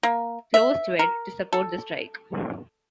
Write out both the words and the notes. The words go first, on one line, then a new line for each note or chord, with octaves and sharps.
Closed Wed. to support the strike.
A#3
E5
A#4
A4